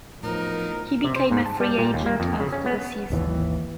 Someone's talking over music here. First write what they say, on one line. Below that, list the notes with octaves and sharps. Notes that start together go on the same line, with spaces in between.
He became a free agent after the season.
A2 F3 F#3 B3 D#4 A#4
C3
C5
G#2
A5
G3
A#2
D#2
A#3
F2
C#3
C#4
B3
G#1 D#2 E3